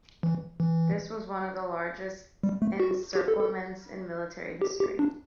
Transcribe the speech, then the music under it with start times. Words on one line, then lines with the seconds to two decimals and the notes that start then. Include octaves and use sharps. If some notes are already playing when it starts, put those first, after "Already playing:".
This was one of the largest encirclements in military history.
0.23 E3
0.60 E3
2.43 G3
2.62 A3
2.80 F#4
3.15 G4
3.28 A4
3.40 A4
4.62 G4
4.80 G4
4.99 D4